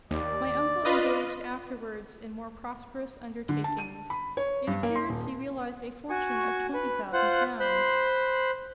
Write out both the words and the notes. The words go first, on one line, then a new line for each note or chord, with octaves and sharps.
My uncle engaged afterwards in more prosperous undertakings: it appears he realised a fortune of twenty thousand pounds.
D#2 D5
F4 B4 D#5
D3
A5
D#7
B5
C#5
G2
A#3
C6
D#1
F#4 G#5 C#6
B4
F4 C5 F#5 F#6
C5 B5 C6 F#6